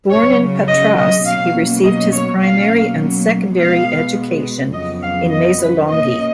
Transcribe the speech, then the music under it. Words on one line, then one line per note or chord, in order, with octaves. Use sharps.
Born in Patras, he received his primary and secondary education in Mesolonghi.
C#3 F#3 C#4 C#5
D#5
D#5
B2 F#3 A#3 C#4 F5
D#5
C#5
B2 F#3 A#3 C#4 F5
B2 G#3 B3 F5
F2 C#3 F#3 B3 D#5
F5
D#5
B4
B2 A#3 C#4 D#5